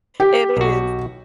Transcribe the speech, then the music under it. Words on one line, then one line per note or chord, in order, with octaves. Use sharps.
it is.
G4 G5
B1 F#4